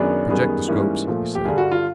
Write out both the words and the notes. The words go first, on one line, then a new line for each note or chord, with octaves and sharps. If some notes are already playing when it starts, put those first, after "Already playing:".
"Projectoscopes," he said.
Already playing: F#2 D#3 F#3 B3 D4 G#4
F#2 D#3 G3 B3 G#4
G#2 E3 G3 A#3 C#4
A#2 F3 A3
G4
G2 D3 G3 G#4
F#4
F4